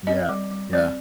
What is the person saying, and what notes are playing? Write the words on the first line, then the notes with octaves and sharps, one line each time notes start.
Yeah, yeah.
C4 D#5
G3
G3
C4 D5